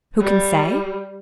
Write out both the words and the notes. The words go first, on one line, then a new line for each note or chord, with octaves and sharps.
Who can say?
G3